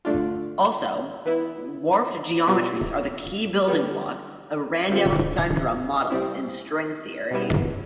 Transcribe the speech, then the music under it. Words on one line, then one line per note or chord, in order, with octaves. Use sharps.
Also, warped geometries are the key building block of Randall-Sundrum models in string theory.
D3 A3 D4 F4
E3 B3 E4
B2 G3 B3 F4
D3 G3 B3
D3 G3 C4 F4
C3 G3 C4 E4
B2 G3 B3 E4